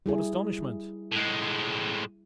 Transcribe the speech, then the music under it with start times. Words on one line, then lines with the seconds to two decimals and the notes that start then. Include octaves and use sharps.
What astonishment!
0.06 G3 E4 G#4
1.12 A2 G#3